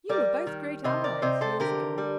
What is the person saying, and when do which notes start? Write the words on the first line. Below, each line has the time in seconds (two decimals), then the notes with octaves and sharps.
You were both great allies, years ago.'
0.09 G3 A#4 D5
0.47 D#3
0.84 C3 C5 D#5
1.04 A#4 D5
1.22 C3 C5 D#5
1.41 A4 C5
1.60 D3 G4 A#4
1.98 G3